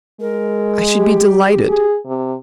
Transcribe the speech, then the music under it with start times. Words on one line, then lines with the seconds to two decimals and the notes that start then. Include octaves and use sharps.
"I should be delighted."
0.20 G#3 A#4
0.95 G4
1.69 G#4
2.06 C3